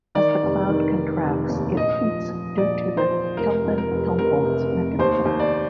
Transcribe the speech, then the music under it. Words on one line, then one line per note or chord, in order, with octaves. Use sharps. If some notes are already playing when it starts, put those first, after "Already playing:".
As the cloud contracts it heats due to the Kelvin-Helmholtz mechanism.
D#3 D5
F1
D#3
D#3
F1
D#2
A#1 D#5
F3
F3
A#1 D5
F3
C5
F3
F1 A#4
F2
A#4
F1
F1 A#4
C3
F1
D#2 C5
D#2
D5